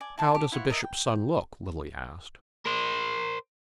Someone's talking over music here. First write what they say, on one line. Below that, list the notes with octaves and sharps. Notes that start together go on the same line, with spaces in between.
"How does a bishop's son look?" Lily asked.
D5 G#5
E4 A5 C6
G4
E4 F4 C#5 F#5
A#4 D#5 E5
G5
A#4 C5